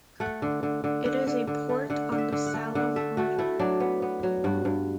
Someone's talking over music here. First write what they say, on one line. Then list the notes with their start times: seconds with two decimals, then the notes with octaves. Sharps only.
It is a port on the Saloum River.
0.20 A3 F#5
0.42 D3
0.63 D3
0.84 D3
1.05 D3 F#5
1.27 D3
1.47 D3
1.69 A3
1.90 D3 F#5
2.12 D3
2.18 E5
2.32 D3
2.46 F#5
2.54 A3
2.75 D3 F#5
2.96 A3 E5
3.17 A3 F#4
3.39 A3 E4
3.59 F#3 D4
3.80 B3
4.02 B3
4.23 F#3
4.44 G2 F#4
4.65 G2